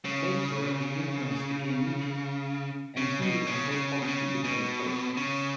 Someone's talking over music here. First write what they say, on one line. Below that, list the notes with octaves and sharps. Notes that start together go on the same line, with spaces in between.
Later the influence became mutual, and he and Tarkovsky became close friends.
C#3
C#3
B2
C#3
C#3
B2
C#3
B2
C#3